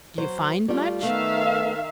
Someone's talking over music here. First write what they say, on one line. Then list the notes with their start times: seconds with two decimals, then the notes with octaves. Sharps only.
"Do you find much?"
0.18 F#3 C5
0.68 G3 A3 F4
1.03 D#3 A3 B3 E5 F5